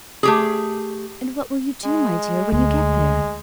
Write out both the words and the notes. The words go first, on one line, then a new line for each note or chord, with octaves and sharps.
And what will you do, my dear, when you get there?'
A3 G4 G#4
G#3
D2 G#3